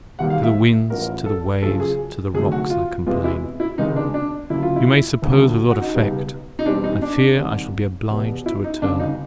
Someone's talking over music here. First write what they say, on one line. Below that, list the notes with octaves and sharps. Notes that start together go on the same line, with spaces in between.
"To the winds, to the waves, to the rocks I complain"--you may suppose with what effect! I fear I shall be obliged to return.
E1 D#2 D#3 G3 A#3 F#5
F5
E5
A1 A2 F3 A#4
A4
F#2 C#3 F3 A4
G#4
D2 C3 D#3 F#3 A3 G#4
F#4
F4
E2 C3 E3 G#3 F4
E4
E4
C#2 C3 D#3 G#3 D#4
D4
D4
D2 C#3 F#3 A#3 E4
F4
E4
D2 D3 F#3 A#3
F#4
D#4
C#2 B2 G3 B3
D#4
E2 B2 G3 C4 D4
D#4
D4
C2 C3 D#3
F1 E2 B2
E4
D#4
G1 F2 C#3 D4
D#4